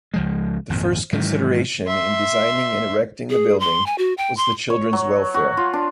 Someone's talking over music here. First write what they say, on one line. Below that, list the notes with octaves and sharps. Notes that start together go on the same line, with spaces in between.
The first consideration in designing and erecting the building was the children's welfare.
C#2 F3 G#3
G#1 F2 A#2
G#2 D#3 E3 F#3
E5 C6
G#4
C6
G#5
F#4
G5
C6
C#5
F#3
F#4
F4
D4